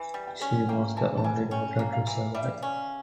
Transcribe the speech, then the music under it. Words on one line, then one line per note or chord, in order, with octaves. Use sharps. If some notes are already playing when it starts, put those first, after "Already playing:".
She was the only daughter to survive.
Already playing: E3
G3
G5
C#4
A#3 G5
E3 A5
A5
G3 G#5
C#4 G5
A#3
F5
E3
G3 E5
C#4